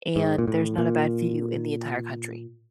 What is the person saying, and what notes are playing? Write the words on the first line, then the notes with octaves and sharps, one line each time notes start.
and there's not a bad view in the entire country.
G#2
A#2
A2
A#2